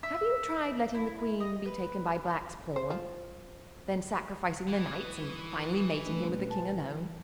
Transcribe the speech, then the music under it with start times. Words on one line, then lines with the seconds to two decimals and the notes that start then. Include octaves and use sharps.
"Have you tried letting the Queen be taken by Black's pawn, then sacrificing the Knights, and finally mating him with the King alone?"
0.03 E5
0.94 E4
1.40 D#5
1.66 B4
2.76 C5
2.90 F3
4.68 E3 B4 C#6 D#6
6.05 A#2 C#3 G3 A3 D4 B4
6.50 E3 G#5 A5